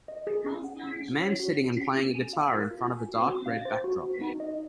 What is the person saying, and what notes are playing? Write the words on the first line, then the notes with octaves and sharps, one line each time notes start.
A man sitting and playing a guitar in front of a dark red backdrop.
D#5
G#4
C#4
F#5
C#4
C#4
C#5
F#4
C#4
C#4
F4
G#5
F5
A#4
F4
G#5
F#4
F#4
F5
C5
F#4
F#4
D#4
D#5